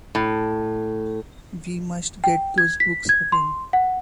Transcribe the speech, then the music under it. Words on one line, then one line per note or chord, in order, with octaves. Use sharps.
We must get those books again.
A2
G5
G#6
B6
G#6
C6
F#5